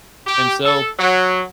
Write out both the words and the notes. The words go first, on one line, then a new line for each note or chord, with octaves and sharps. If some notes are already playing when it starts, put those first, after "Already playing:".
And so
G4
A4
F#3